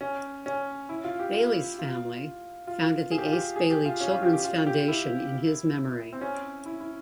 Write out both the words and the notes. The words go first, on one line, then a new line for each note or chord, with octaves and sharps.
Bailey's family founded the Ace Bailey Children's Foundation in his memory.
C#4
C#4
E4
F4
G4
F4
F4
F4
G#4
G4
F4
G4
G#4
G4
F4
C#4
F4
G4
G4
F4
G4
E4
C4
C#4
E4
E4